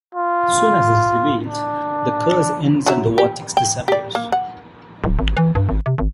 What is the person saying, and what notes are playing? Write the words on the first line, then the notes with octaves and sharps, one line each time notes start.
As soon as this is revealed, the curse ends and the vortex disappears.
F4
D4
F#3 G#4 E5
G4
G5
G4 D5
A#3
F#5
D1
G#1
E3
G2
G#1
C3
G#1